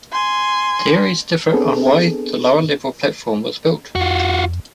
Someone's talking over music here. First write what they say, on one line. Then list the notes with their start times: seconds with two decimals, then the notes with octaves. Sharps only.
Theories differ on why the lower level platform was built.
0.12 G#5 C6
1.53 B3 C4 D4 G#4 A4
3.95 F2 F4 F#4